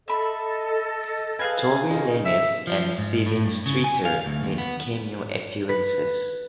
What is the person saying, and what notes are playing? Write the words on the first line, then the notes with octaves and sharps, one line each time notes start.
Tory Lanez and Sevyn Streeter made cameo appearances.
A4 D#5 E5 B5
G#4 B4 F5 G#5
C#3 D#4 F4
E5
F3
G#2
A2
G2
C#3
G#5
F5
D2
D#2
B3
B4